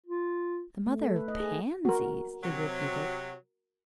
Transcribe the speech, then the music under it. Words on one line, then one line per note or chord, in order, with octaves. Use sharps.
"The Mother of Pansies!" he repeated.
F4
A3
A4
B4
D#5
G#4
F#4 A#4
C3 F#3